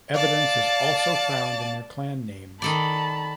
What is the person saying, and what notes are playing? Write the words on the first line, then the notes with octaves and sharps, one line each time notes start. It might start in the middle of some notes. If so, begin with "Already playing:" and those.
Evidence is also found in their clan names.
D5 F5 A5
D#3 A4 D5 A5 B5